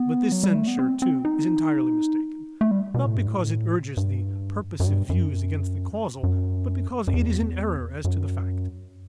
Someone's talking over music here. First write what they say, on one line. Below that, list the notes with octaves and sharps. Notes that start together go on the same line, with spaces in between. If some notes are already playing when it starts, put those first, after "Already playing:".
But this censure too is entirely mistaken, not because it urges the purposive views against the causal but because it is in error as to the facts.
Already playing: B3
F#3
G3
A3
B3
C4
C4
D#4
A3
G3
B2
A2
G2
A2
G2
F#2
G2
F#2
F#2
F#2
E2
F#2